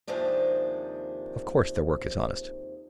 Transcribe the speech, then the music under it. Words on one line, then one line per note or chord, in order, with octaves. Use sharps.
Of course, their work is honest!
D#2 C3 D#3 F3 G#3 D4